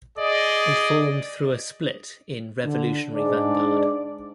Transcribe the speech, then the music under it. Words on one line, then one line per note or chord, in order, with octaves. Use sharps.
It formed through a split in Revolutionary Vanguard.
G#4 D5 D#5
D3
G#2 D4 D5